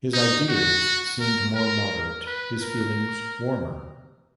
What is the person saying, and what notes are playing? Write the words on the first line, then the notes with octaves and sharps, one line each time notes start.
His ideas seemed more moderate — his feelings warmer.
D#4
F#4
A#4
A#4
B4
A#4